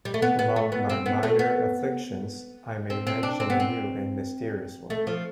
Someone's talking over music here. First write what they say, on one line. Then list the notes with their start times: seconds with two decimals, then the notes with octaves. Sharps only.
Among my minor afflictions, I may mention a new and mysterious one.
0.05 G3
0.14 A3
0.22 B3
0.39 B3
0.56 A3
0.72 B3
0.89 C4
1.06 B3
1.23 A3
1.39 B3
2.90 C4
3.07 C4
3.23 D4
3.40 C4
3.50 B3
3.60 C4
4.90 A3
5.07 F3